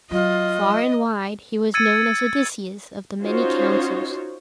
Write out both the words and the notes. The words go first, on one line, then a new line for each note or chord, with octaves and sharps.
Far and wide he was known as Odysseus of the many counsels.
F#3 F4 D#5
E6 G#6 A6 C#7 D#7
C#4 D#4 F4 F#4 C5 C#5